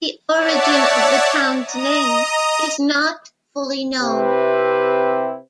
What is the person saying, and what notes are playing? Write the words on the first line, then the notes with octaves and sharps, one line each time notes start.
The origin of the town's name is not fully known.
C#5 D5 E5 F#5 A5
D#5 A#5 D#6
C3 C4 E4 G4 B4